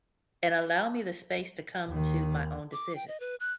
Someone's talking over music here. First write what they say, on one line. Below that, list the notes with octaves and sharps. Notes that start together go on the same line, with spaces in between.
and allow me the space to come to my own decision?
D#2 D#3
D6
G5
D#5
B4
F#6